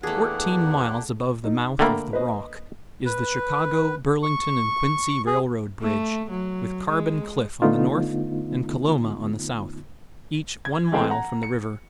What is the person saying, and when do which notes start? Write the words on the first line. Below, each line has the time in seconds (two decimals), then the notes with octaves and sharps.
Fourteen miles above the mouth of the Rock, is the Chicago, Burlington and Quincy railroad bridge, with Carbon Cliff on the north and Coloma on the south, each one mile from the river.
0.03 E2 A3 A#3 D4 G4 G#4 F#5
1.44 D#4
1.79 D3 A3 A#3 G5 A#5 B5
2.13 B4 C5 D#5
3.06 B4
4.23 C#6
5.27 G#4
5.82 A3
6.30 F#3
6.89 G#3
7.62 D3 A3 B3 D#4 F4
10.65 G#6
10.92 E3 G#3 C4 A4
11.10 F#5 A#5
11.43 C#7